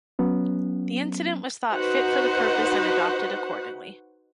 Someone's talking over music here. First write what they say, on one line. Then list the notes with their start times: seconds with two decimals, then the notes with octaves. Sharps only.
The incident was thought fit for the purpose and adopted accordingly.
0.19 F#3 B3 C#4
1.73 D#4 F#4 B4 C5 F#5